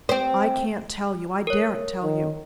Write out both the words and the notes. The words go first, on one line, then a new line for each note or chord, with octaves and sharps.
"I can't tell you--I daren't tell you."
C4 C5
A#4 C#5
D#3